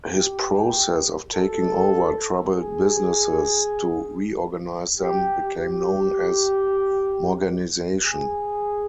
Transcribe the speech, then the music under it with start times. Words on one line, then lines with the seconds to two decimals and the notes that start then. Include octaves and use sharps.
His process of taking over troubled businesses to reorganize them became known as "Morganization".
0.13 G4
1.34 A4
2.55 G#4
4.99 G4
5.60 G4
8.03 G#4